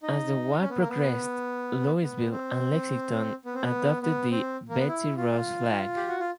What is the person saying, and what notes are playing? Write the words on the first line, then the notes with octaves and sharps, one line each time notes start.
As the war progressed, Louisville and Lexington adopted the "Betsy Ross flag".
D#4
C#4
B3
A#3
B3
B3
C4
B3
C4
B3
B3
C4
A#3
B3
E4
F4
G4
F#4
F4